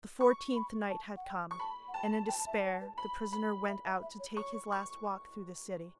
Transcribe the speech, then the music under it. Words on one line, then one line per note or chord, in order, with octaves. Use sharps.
The fourteenth night had come, and in despair the prisoner went out to take his last walk through the city.
B5 C#6
B5
A5
F#5
G5
C#6
A5 B5
F#5
G5 A5
G5 A5
E5
C#5
B4
B5
B5
E5
E5
E5
C#5
C#5 C#6
C#6